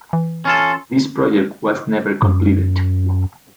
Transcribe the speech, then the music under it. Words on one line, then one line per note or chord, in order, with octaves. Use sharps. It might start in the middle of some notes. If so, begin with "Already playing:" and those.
This project was never completed.
E3
C#4 F4 A4
F#2